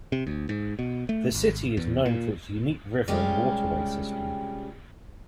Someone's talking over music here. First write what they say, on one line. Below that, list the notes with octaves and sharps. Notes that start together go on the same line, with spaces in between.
The city is known for its unique river and waterway system.
C3
D2
G#2
B2
A3
G#1
E2
A#2
C3 G3 G#3 C#4 F4 G4